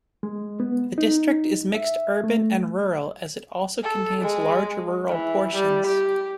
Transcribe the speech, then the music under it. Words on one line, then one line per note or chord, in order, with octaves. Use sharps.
The district is mixed urban and rural as it also contains large rural portions.
G#3
B3
D#4
E5
A3
A4
G#3
E3
G3
G4